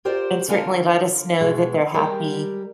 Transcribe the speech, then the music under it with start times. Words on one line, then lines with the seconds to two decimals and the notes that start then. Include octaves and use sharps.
and certainly let us know that they're happy.
0.05 F4 G4 A#4 C5 D5
0.48 D3 F4 A#4 G#5 A5
1.40 B2 G#3
1.94 G3 G#3 G4 A#4